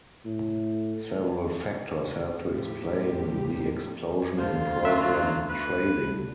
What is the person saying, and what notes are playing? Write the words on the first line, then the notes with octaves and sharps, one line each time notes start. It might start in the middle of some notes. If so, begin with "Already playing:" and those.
Several factors help to explain the explosion in program trading.
A2
A2 F3 G4
D2 F4 C5
F#3 E5
B4